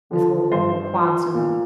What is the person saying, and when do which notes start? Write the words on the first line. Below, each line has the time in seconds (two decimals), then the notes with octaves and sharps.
with whole The whole quantum
0.11 D3 F3
0.52 G2 C5
0.93 F3
1.34 A#2